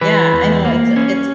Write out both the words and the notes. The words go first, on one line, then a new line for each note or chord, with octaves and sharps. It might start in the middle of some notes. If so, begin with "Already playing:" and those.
Yeah, I know. It's uh it's
E3 B4
E2
A#3
C#4